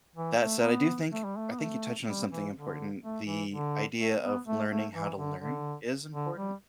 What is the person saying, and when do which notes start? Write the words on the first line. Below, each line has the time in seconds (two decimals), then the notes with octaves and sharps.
That said, I do think I think you touched on something important. The idea of learning how to learn is important,
0.16 E3
0.40 A3
0.63 B3
1.12 A3
1.25 G3
1.37 A3
1.52 B3
1.59 A3
2.07 G3
2.31 E3
2.54 D3
3.03 A3
3.26 E3
3.50 D3
3.98 A3
4.22 B3
4.45 A3
4.70 A3
4.93 E3
5.17 D3
5.41 D3
6.13 D3
6.36 G3